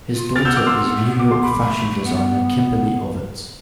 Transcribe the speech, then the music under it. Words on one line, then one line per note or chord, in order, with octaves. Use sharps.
His daughter is New York fashion designer Kimberly Ovitz.
F4
C4 F6 A6
B3 E6 G6
C4 D6 F6
B3 C6 E6
C4
B3
A3
B3
D6
C6
B5 D6
A3
A3
A3
B3